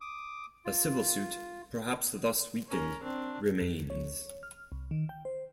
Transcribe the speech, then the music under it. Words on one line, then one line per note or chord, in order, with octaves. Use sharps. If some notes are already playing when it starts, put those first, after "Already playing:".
A civil suit, perhaps thus weakened, remains.
D6 D#6
F4
C#4 A#4
C4 D4
F2
C#5
F6
C2
D#3
G5
C5